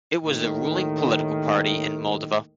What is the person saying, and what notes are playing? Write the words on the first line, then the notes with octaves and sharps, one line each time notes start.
It was the ruling political party in Moldova.
D#2 A2 D#3